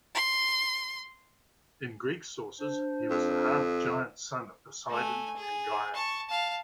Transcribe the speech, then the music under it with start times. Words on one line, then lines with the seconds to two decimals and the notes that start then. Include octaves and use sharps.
In Greek sources, he was the half-giant son of Poseidon and Gaia.
0.15 C6
2.60 D4 C5
3.10 F2
4.89 A3 G#5
5.36 G#4
5.95 A5 C#6
6.29 F5 A5